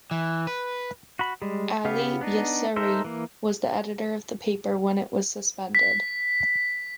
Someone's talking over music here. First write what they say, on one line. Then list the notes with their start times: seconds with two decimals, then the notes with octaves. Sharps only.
Ali Yasseri was the editor of the paper when it was suspended.
0.11 E3
0.47 B4
1.19 F#4 B5
1.42 G3 G#3
1.85 C#3 B3 G4 F5
2.21 B3 D4 D#4
2.76 D#4 A4 A#4 C5 E5
3.04 E3 A#3
5.75 B6